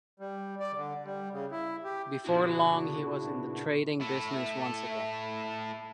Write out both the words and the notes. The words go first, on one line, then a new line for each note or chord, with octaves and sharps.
Before long he was in the trading business once again.
G3
D5
D3
G3
C#3
E4
G4
A#2 C#3 B3 D4 E4 F#4
A3 E4